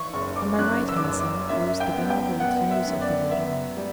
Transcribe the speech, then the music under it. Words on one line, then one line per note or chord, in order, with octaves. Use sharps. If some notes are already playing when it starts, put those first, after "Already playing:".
On my right hand side rose the venerable timbers of the water-mill.
Already playing: E3 C#6
F#1 C#6
D6
F#2 F#6
E6
D6
F#1 E6
D6
F#2 E5
G5
B3
G5
B3 F#5
E5
F#2
D5
B3 E5
G3